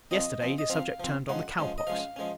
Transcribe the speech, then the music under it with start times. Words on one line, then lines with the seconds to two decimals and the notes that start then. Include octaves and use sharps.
Yesterday, the subject turned on the cow-pox.
0.11 F3 C4 D#5
0.40 F3 C4
0.58 D#5
0.70 F3 C4 F5
1.00 F3 C4
1.28 F3 G#3 C#4 F#5
1.58 F3 G#3 C#4
1.78 D#5
1.87 F3 G#3 C#4 F5
2.16 F3 G#3 C#4